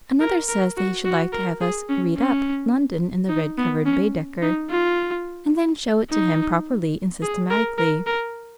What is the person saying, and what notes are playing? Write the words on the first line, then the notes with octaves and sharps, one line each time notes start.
Another says that he should like to have us 'read up' London in the red-covered Baedeker, and then show it to him, properly and systematically.
A#4
A#4
F#4
F#4
A#4
G#4
C#4
C#4
D#4
B3
C#4
D#4
F4
D#4
G#4
A#4
A#4
A#4